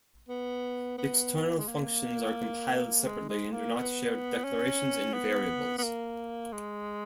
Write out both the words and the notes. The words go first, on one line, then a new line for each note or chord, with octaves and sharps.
External functions are compiled separately and do not share declarations and variables.
B3
B3
G#3
A#3
G#3
G#3
A#3
B3
C#4
B3
B3
A#3
G#3